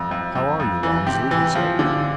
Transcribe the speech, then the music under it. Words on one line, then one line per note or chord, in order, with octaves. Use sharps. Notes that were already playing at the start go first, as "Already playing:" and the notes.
"How are you, Walmsley?" he said.
Already playing: F2
F2
F2
F2
E3
C3 G4
E3
F3
D3